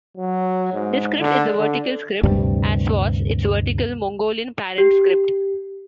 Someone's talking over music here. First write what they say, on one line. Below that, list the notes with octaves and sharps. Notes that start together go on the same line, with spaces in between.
This script is a vertical script, as was its 'vertical Mongolian' parent script.
F#3
G#2
D3
D3
D2 G2 C3 G3
G4